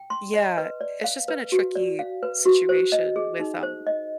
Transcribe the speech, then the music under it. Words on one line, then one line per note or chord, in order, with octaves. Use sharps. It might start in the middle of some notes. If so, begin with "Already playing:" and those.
Yeah, it's just been a tricky situation with, um,
Already playing: G5
C6
D#5
B4
D5
F5
B4
F#4
D5
F5
B4
F#4
C5
D#5
G#4
D#4
C5
D#5